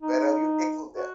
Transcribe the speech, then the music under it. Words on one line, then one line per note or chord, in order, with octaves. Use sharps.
Where are you taking them?
D#4
F#4